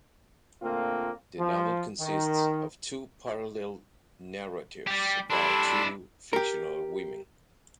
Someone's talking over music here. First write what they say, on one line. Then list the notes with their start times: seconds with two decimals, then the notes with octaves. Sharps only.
The novel consists of two parallel narratives about two fictional women.
0.62 A#2 D3 A3 A#3 C4 F4
1.38 F3
2.00 D#3
4.87 G3 G4
5.30 G3 D4 E4 A4 C6
6.33 G4 A#4